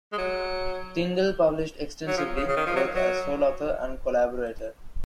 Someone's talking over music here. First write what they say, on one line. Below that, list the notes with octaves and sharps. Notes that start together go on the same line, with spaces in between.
Tindale published extensively, both as sole author and collaborator.
G#3
F#3
F#3
F3
C#3
C#3
D#3
F3
F#3
F#3